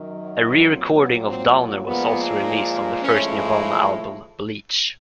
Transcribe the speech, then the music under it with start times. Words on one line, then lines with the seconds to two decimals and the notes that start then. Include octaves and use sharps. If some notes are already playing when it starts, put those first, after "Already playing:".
A re-recording of "Downer" was also released on the first Nirvana album, "Bleach".
Already playing: F#2 D#3 F#3
0.69 A#2 F#3 C4
0.98 B3
1.28 C4
1.87 A#2 F3 G#3 B3
3.03 A2 F3 G#3 C#4